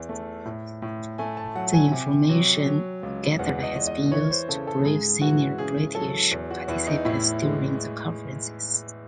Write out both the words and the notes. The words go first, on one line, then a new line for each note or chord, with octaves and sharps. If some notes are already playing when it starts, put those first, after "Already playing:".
The information gathered has been used to brief senior British participants during the conferences.
Already playing: E2
A3
A2
A2
A3 G#5
A5
F#3 F#5
G#5
C3
F#3
F#3
C#2
E2 F#5
D#5
E2
D#5
E3 C#5
C5
C#3 A4
A4
G#2 G#4
E3 F#4
C#3 G#4
F#3 A4
E2
F#4
E2 E4
D#4
A2 E4
G#3